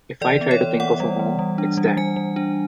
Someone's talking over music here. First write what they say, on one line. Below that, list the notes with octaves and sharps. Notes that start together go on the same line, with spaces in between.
If I try to think of a home, it's that.
E3 D5
B3
C#5
E3
B3 F#5
G3
E3
G3
D4
G3
G3 G#5
G3
D4